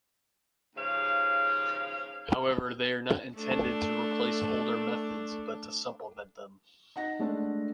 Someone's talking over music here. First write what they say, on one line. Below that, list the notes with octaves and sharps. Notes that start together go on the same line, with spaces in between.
However, they are not intended to replace older methods but to supplement them.
D#2 C#3 F3 F5
A3 D4
D#4 F#5 A#6
G#3 A3 D4